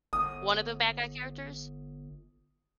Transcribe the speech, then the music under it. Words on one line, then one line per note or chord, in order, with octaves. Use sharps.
One of the bad guy characters?
G1 D#6